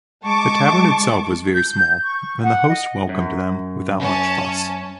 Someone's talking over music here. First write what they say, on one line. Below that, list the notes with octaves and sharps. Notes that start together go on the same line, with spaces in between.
The tavern itself was very small and the host welcomed them without much fuss.
G#3 A5 C#6 D6
G6
C#6
F#5
D#5
F#2
C#4 A5